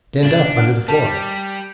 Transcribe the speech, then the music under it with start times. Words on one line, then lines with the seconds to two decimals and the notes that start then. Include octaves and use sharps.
"Denned up, under the floor!"
0.24 A#2 C#3 C#4 D4
0.56 A#3 F#5 F6
0.88 G3 G4 A#4 A5